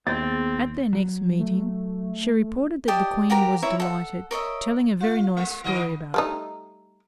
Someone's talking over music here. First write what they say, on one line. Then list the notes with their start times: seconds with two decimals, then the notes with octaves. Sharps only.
At their next meeting she reported that the Queen was delighted, telling a very nice story about it.
0.07 D#2 B3 C4 G#4 A6
0.93 F#3
1.39 A3
2.88 G4 D5 D#5 A5
3.30 F#4 G4 A#4 A#5
3.62 E4 C#5 E5 A#5
3.80 A4 F#5
4.31 A#4 C#5 D#5 E5
5.00 F4
5.37 G#3
5.64 D#3 D#5
6.14 G3 A3 D#4